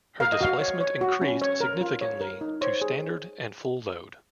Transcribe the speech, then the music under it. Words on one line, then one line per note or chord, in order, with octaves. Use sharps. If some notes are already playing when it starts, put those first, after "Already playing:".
Her displacement increased significantly, to standard and full load.
A#4 F5
D#5
F#4 F5
C#5
C#5
F#4
C#4
C#5
A#4
F4
C#5
A#4
D#4
C5 C#5
G#4